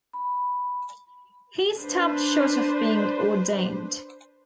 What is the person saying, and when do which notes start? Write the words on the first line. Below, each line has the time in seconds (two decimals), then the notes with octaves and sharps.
He stopped short of being ordained.
0.13 B5
1.78 D4 B4 C5